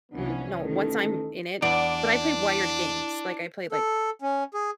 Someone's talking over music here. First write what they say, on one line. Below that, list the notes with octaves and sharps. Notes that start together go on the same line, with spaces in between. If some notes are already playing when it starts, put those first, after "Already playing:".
mm, no, once I'm in it but I play wired games, like I play like,
C2 E3 F3 B3 C#4 D4
A1 D#3 A4
E2 D4 D5
A4
C#4
G#4